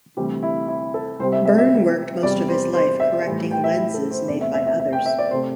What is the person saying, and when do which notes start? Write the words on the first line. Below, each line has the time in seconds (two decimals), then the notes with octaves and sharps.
Byrne worked most of his life correcting lenses made by others.
0.17 D2 C3 E3 G3 G4
0.43 E4
0.68 E4
0.94 A4
1.20 C2 C3 G3 C5
1.32 E5
1.45 E5
1.58 E5
2.23 E2 C3 G3 D5
2.49 C5
2.74 C5
3.00 E5
3.25 A2 E3 G3
3.51 G5
3.64 E5
3.77 E4
3.94 A4
4.11 C5
4.28 E2 C3 A3 D5
4.41 E5
4.54 E5
4.67 E5
4.79 E5
4.93 G5
5.06 E5
5.18 D5
5.31 C3 A3 C5